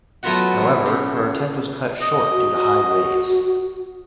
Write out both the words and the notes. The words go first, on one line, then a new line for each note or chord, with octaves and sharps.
However, her attempt was cut short due to high waves.
F#3 A3 B3 F4 F#4 F#5
E3
C#3
D#5
F#4